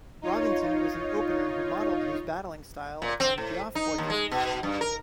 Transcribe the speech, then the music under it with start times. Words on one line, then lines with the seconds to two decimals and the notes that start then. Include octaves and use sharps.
Robinson was an opener who modelled his batting style upon Geoff Boycott's.
0.22 D#4 F4 C#5
3.02 A#2
3.20 C4
3.38 A2
3.75 D#4
3.98 D#2
4.10 G#3
4.31 B2
4.63 G2
4.81 A#4